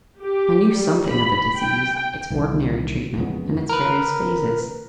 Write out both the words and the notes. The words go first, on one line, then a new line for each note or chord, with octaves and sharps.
I knew something of the disease, its ordinary treatment, and its various phases.
G4
G3
B5
G5
C2 D#3 E3
F2 C#3 G#3 B3
A#4 B4